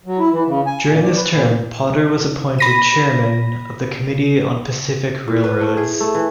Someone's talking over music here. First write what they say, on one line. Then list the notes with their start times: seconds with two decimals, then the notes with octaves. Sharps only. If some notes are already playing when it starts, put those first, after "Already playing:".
During this term Potter was appointed Chairman of the Committee on Pacific Railroads.
0.06 F#3
0.19 E4
0.32 E3
0.47 C#3
0.66 G#5
0.88 A#2
1.04 D5
1.16 B4
1.32 A#2
2.58 B5 A#6 D#7
5.28 A2
5.44 B4
5.61 A3
5.77 G#4
6.01 A3
6.15 E3